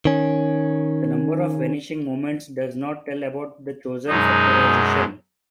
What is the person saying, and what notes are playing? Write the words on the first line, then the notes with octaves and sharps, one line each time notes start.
The number of vanishing moments does not tell about the chosen factorization.
D#3 C#4
F#2 B2 G#3 D#4